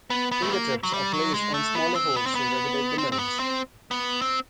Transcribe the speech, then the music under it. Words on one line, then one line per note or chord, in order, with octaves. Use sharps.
Finger tips are placed on smaller holes to regulate the notes.
B3
B3
A3
A#3
F#3
G3
F#3
G#3
A3
B3
C4
B3
C4
B3
C4
C4
B3
C4
B3
C4